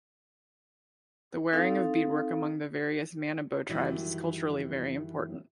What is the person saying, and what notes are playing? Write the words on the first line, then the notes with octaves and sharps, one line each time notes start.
The wearing of beadwork among the various Manobo tribes is culturally very important.
C4 D#4 A4 F5
F#2 D#3 E3 G3